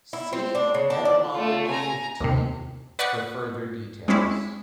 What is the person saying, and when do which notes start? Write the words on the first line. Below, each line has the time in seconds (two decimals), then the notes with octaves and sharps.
See etymology of tea for further details.
0.13 E4
0.33 C4
0.55 D4
0.75 C#3
0.90 D4
1.05 D5
1.33 A3 F4
1.67 G#5 A#5
2.20 D#2 C3
2.99 B4 D5 F#5 C#6 D#6 F#6
4.08 G#3 C4 C#4 E4 D5